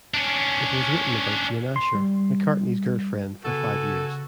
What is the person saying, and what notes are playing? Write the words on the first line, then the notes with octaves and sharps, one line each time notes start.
It was written about Jane Asher, McCartney's girlfriend for five years.
C#4 D4
C6
G3
C#3 B3 F#4 A4 G#5